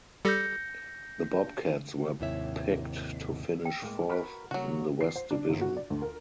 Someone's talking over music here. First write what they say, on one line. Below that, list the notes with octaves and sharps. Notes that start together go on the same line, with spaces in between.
The Bobcats were picked to finish fourth in the West Division.
G3 G4 A4 G6 A#6 C#7
D#2 G#2 C3 E4 C#5 E5
G5
A2 G#3 A#3
F#4 A#4 B4
C#3 F#3 G3 A#3 F#4
C7
C5
D4
G1
F#4
D5
D2
A#4